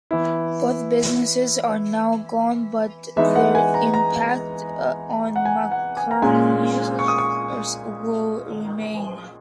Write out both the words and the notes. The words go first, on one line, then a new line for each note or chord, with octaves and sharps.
Both businesses are now gone, but their impact on Macquariums will remain.
E3 B3 E4
E3 G#3 B3 D#4 E5
F#5
G#5
A#5
A#5
F#5
G#5
F#5
G#5
A#5
A#2 G#3 C#4 G#5
C#6
D#6
C#6